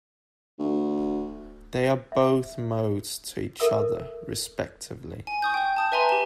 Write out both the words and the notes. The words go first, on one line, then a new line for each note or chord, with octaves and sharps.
They are both modes to each other, respectively.
D2
E5
A4 A#4 E5 E6
G#5
C#6 D#6 G6
G5 G6
A5 D#6 G6
B4 E5 G#5 A#5 C6
G4 E7